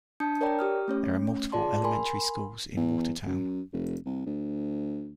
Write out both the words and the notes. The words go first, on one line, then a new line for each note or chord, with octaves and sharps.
There are multiple elementary schools in Watertown.
D4 A5 D#6 G6 C#7
A#4 C#5 D5 G5 A#5
G4 D#6 F6
A3 C#4 C#5
F4 G#4 D5 A5 C6
A#4 G#5 B5 C6
E2
F#2
F1
C2
D2